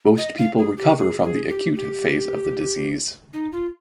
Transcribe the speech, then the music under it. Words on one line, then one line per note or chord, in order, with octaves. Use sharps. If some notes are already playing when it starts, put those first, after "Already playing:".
Most people recover from the acute phase of the disease.
D#5
F5
G#4
G4
G#4
G#4
G4
G4
D#4
F4